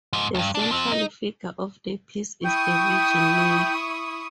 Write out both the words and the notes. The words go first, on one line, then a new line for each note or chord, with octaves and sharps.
The central figure of the piece is the Virgin Mary.
G#2 F3
D2 G2
B2 D4
F3 C4
D#4
E4 G5 C#6 D#6